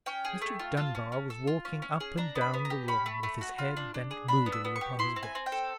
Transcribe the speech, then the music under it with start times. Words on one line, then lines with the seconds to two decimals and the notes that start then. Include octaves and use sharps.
Mr. Dunbar was walking up and down the room, with his head bent moodily upon his breast.
0.06 C#4 G5
0.25 G#4
0.42 A3
0.59 F4
0.77 F4 A5
0.95 C#4
1.12 C#4
1.30 A4
1.47 F4
1.65 C#4
1.82 C#4
2.00 G#4
2.17 D4 A#5
2.35 B3
2.41 B5
2.54 B3
2.65 A#5
2.70 G4
2.88 C#4 B5
3.06 A3
3.23 A3
3.41 F#4
3.59 F4
3.77 D4
3.94 D4
4.11 G#4
4.28 D4 B5
4.46 B3
4.52 E6
4.65 B3
4.76 C#6
4.81 G4
4.99 E4 C6
5.16 C4
5.23 G#5
5.35 C4
5.46 G5
5.52 A4